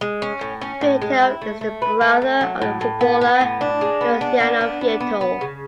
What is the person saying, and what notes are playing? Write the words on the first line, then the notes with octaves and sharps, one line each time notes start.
Vietto is the brother of the footballer Luciano Vietto.
G#3
C#4
A2
C#4
A2
G#3
E4
A3
A3
B4
A3
A3
F#3
A2
A2
B3
B3
A2
D4
G#3
B3
D4
B3
D4
B3
B3
B3
C#3